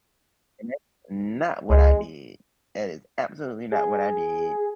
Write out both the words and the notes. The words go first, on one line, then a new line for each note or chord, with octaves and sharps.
and that's not what I did. That is absolutely not what I did.
C#2 G#3
G#4